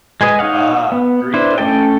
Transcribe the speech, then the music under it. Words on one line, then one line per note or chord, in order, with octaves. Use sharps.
Ah, green thumb.
G#3 G#4 B4 D#5
D#4 C#5 F5 F#5
B3
D4 E4 B4 C5
A3 C#4 A4 G5